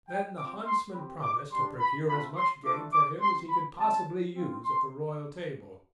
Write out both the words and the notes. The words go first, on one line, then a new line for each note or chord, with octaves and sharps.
Then the huntsman promised to procure as much game for him as he could possibly use at the royal table.
G5
C4 F4 D6
C6
C4 G4 B5
D6
G3 D4 G4 C6
B5
A3 C4 F4 B5
C6
A3 D4 F4 D6
D6
C4 G4 C6
B5
C4 F4 A5
C4 F4
C6